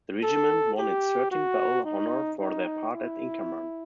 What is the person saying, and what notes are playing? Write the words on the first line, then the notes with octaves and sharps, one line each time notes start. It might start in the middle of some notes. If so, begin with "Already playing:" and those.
The "regiment" won its thirteenth battle honour for their part at Inkerman.
A4
G4
F#4
D#4
D#4
E4